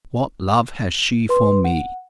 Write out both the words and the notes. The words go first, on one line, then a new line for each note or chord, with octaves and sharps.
What love has she for me?
B4 C6
F#5